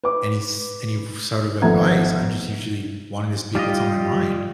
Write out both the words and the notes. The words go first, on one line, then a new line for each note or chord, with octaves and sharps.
any s any sort of advice. I'm just usually wanting to speak what's on my mind.
B4 D6
G#1 F3 A3 B3 A#5 G#6
G3 F4 G4 D#5